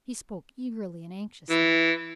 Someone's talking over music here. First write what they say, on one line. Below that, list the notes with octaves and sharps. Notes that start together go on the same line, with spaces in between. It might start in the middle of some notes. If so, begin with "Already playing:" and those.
He spoke eagerly and anxiously.
E3